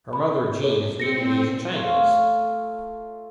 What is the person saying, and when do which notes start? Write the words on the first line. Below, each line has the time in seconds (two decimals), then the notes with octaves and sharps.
Her mother, Jean, is Vietnamese and Chinese.
0.13 B5
0.63 G#4 A4 C#5
1.00 C4 A#6 C#7
1.76 A3 F4 C#5 F5